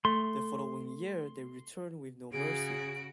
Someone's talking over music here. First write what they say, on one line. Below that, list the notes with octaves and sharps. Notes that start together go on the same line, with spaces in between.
The following year they returned with No Mercy.
A3 C6
C#3 F#4 G#4 D7